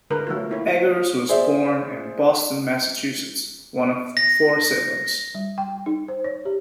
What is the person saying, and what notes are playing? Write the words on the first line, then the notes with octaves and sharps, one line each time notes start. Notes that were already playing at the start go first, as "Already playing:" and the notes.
Eggers was born in Boston, Massachusetts, one of four siblings.
D3 G#3 A#4 B4
F#3 A3 F4
A#3 E4 C#5
G#4 C5 D5 E5
A#6
G3
G5
D#4
C5
C#5
G4